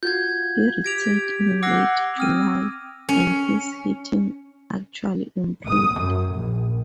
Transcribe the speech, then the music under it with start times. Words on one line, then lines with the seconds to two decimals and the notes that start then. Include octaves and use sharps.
He returned in late July, and his hitting actually improved.
0.03 F4 F#4 G6 G#6
0.84 G4 G#6 A#6 B6 D7 F7
1.63 F#5 D6 E6 G6 A#6 C7
2.18 C4 D#6 F6 D#7
3.09 C#4
5.67 D#6
6.02 F#2
6.36 A#1